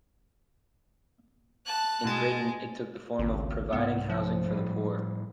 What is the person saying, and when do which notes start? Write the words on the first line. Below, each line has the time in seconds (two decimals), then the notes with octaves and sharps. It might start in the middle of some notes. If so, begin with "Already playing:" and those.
In Britain, it took the form of providing housing for the poor.
1.67 A5 F#6
2.05 B2 G#3 A5
3.19 G#1 C#2
3.73 C2 G#2 B3
4.10 F3
4.48 A2 G3